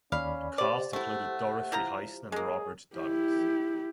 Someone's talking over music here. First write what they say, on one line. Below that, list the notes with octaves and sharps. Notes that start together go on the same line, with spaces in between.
The cast included Dorothy Hyson and Robert Douglas.
D#2 C#4 D5 F5 B5
G4 C5 D5
A3 E4 F#5
F3 E4 A#5
G#3 A#3 G#4
E4 G4